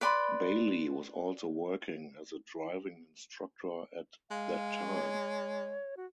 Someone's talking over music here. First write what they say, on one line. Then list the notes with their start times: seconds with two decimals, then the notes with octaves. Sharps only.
Bailey was also working as a driving instructor at that time.
0.01 B4 D5 B5 C6
4.31 G#3 F5
4.91 C#5
5.97 F#4